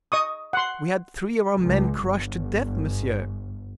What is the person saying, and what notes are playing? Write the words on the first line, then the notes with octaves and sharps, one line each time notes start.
"We had three of our men crushed to death, monsieur!"
D#5 C#6 D#6
F#5 C6
C#2
G1